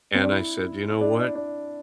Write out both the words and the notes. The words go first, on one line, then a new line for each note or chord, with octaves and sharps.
And I said, "You know what?
C4
D4
E4
E4
D4
D4